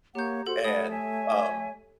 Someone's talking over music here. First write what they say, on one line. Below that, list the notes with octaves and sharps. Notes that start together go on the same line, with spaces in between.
and, um,
A#3 G4 C#5 F#5 A#5 G6
F#4 A4 C5 F#5
A3 F#5 A5 B5 D#6
C#5 E5 G#5